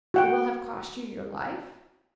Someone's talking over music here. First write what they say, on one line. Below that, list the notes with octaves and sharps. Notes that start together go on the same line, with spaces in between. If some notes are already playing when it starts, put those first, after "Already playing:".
It will have cost you your life?
F#4 F#5 G5